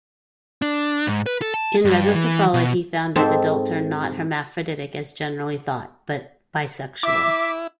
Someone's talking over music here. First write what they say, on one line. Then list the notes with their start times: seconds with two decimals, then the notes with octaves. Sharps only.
In rhizocephala, he found that adults are not hermaphroditic as generally thought, but bisexual.
0.62 D4
1.07 G#2
1.26 B4
1.42 A4
1.54 A5
1.85 G2
2.14 E3
2.54 B2
3.16 G#2 C4 A4 A5
7.03 E4 E5 D6